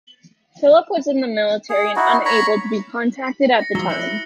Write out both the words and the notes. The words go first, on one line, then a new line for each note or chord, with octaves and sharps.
Philipp was in the military and unable to be contacted at the time.
G#4
D#4 E4 F#4
C#5 A#5 B5 C#6
A#6 C#7
F3 F#3 E6 G7
E4 F#6 C#7 F#7
G7